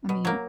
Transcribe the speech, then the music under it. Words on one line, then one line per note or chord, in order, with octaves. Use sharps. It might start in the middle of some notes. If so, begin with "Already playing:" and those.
I mean,
B2
F#3 A#3